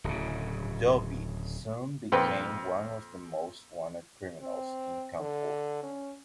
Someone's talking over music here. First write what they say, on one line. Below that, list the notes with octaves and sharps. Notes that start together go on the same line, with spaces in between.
Dubey soon became one of the most wanted criminals in Kanpur.
D1 C#3
F2 A#2 B4 G5
C4
D3
C#4